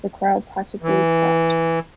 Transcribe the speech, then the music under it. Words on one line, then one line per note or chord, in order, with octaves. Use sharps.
The crowd practically clapped!
E3